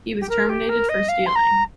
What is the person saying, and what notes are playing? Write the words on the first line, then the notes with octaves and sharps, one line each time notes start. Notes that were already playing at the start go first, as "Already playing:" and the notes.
He was terminated for stealing.
G4
A#4
G4
A#4
D#5
F5
C6
A#5